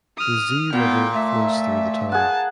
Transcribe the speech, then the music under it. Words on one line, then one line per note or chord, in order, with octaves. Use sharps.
The Zi River flows through the town.
D#6 F6
A#2 B3 G5
A3 E5
G#4 F#5 A5